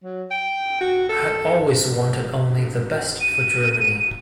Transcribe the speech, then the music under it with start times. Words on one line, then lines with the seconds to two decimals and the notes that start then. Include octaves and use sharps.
I had always wanted only the best for Germany.
0.04 F#3
0.31 G5
0.81 F#4
1.09 A4
3.20 D#7